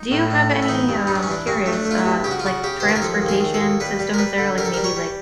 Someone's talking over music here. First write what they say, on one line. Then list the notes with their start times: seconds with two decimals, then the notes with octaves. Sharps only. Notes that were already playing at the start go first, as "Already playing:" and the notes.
Do you have any, um- curious- uh, like, transportation systems there? Like, maybe, like,
Already playing: D#4
0.11 A2
0.30 A2
0.50 A2
0.63 E4
0.69 E3 D#4
0.89 G2
1.07 G2 D#4
1.15 D4
1.23 C#4
1.27 E3 D4
1.47 G2 C#4
1.66 A3
1.73 D4
1.85 A3
1.91 F4
1.98 E4
2.05 G2
2.24 C#3 G4
2.31 F#4
2.40 F4
2.44 C#3 F#4
2.64 C#3 G4
2.80 D#2 C5
2.89 B4
2.96 A#4
3.02 F3 A4
3.22 D#2
3.29 G#4
3.41 D#2
3.54 A4
3.61 D#2
3.80 G3 B4
3.99 G3
4.14 A#4
4.18 G3 B4
4.38 D3
4.58 G3 A#4
4.65 A4
4.74 G3 A#4
4.84 C#5
4.96 G3